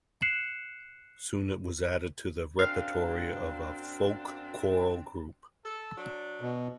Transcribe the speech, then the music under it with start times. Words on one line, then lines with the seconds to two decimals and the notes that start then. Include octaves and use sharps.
Soon it was added to the repertory of a folk choral group.
0.22 F#6 C7 C#7 E7 F#7
2.59 F#2 C4 D4 F5
5.64 A4
5.97 F#3 D4
6.41 B2